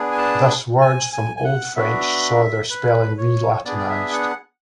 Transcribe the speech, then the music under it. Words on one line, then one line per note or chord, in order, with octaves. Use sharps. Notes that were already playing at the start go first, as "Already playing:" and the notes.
Thus words from Old French saw their spelling re-Latinized.
Already playing: B3 D4 G#4
G#5
A5
G#5
G#5
G#5
F#5
B3 D4 F#4 E5
B4
C#5
B3 D4 G#4 D5
D5
E5
F#5